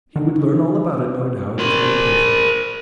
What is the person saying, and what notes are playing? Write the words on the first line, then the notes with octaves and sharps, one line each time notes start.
He would learn all about it, no doubt, if he were patient.
D3 D#3 D#4
A#4 C5